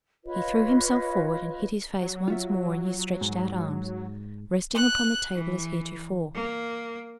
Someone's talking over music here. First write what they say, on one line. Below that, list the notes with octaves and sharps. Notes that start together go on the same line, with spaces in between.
He threw himself forward, and hid his face once more in his stretched-out arms, resting upon the table as heretofore.
F4 B4 C#5 D#5
F#3
F4 F#4 E5
G#2
F#6
E3
A#3